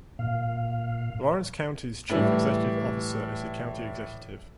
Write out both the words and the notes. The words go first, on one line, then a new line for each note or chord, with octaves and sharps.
Lawrence County's chief executive officer is the County Executive.
A#2 F5
A2 E3 G3